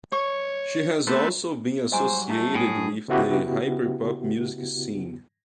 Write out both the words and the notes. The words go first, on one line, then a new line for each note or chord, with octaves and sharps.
She has also been associated with the hyperpop music scene.
C#5 C#6
A3 B3 C4
G#2 F#3 G3 C5 D#5 G#5 A#5
A3 D#4 E4 E6
A2 G#4
C#3 B3 E4 F#4 G4